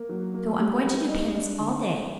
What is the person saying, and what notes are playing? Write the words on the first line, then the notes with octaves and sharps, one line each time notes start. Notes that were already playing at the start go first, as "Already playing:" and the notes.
So I'm going to do penance all day.
Already playing: A#3
F#3
A#3
G3
G3
D#4
D4
D3